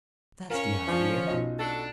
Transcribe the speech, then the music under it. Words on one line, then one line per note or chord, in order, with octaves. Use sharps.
"That's the idea!"
C#4 A#4 C#5 F5
F3 D4 F4
B1 F4 D#5
D4 F#4 A4